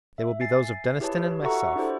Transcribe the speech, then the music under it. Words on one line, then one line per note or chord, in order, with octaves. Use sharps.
They will be those of Deniston and myself.
E5
G#5 A6 C7
E4 G4 G#4 B4 C#5 A5
F#4 A4 E5 F#5 A#5 C#6
D4 E4 G4 A4 C5